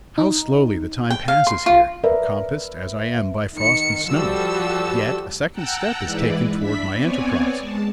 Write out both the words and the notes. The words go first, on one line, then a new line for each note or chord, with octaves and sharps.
How slowly the time passes here, encompassed as I am by frost and snow! Yet a second step is taken towards my enterprise.
D#4
G5
F5
C6
F4
A#4 B4 D5 E5
D#3 C#7
F3 G3 F#4 A4 E6
F#5 G5 A5 A#5 E6 F#6
G#2 E3 G#3 E4 B4 D5
D4 E5 B5 B6
B3 C4 C#5 D5 G#5
G#3 A5